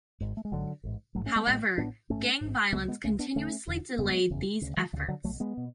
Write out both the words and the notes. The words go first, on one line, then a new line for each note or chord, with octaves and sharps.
However, gang violence continuously delayed these efforts.
G#1 G#2
A3
G#3
G#1 G#2 D3 F#3
A1 G#2
A1 G#2 F#3 A3
A3 C#4
G#3 B3
A1 A2 G#3 B3
A1 A2 B3 D4
A1 G#2 A3 C#4
A1 G#2
C#2 C#3 G#3 B3
G#3 B3
C#2 C#3 A3 C#4
B3 D4
E1 E2 D3 A3 C#4
E1 E2 D3
F#1 E2 C#3 G#3 B3
F#1 E2 C#3
D2 C#3
E3 G#3
D2 C#3 E3
D3 F#3
B1 B2 F#3 A3
G#3 B3
B2